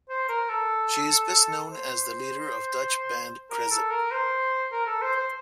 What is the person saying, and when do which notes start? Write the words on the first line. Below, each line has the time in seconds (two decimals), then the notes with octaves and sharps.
She is best known as the leader of Dutch band Krezip.
0.09 C5
0.29 A#4
0.49 A4
1.70 C5
3.51 A#4
3.71 A4
3.90 A#4
4.12 C5
4.72 A#4
4.87 A4
5.02 C5
5.16 C5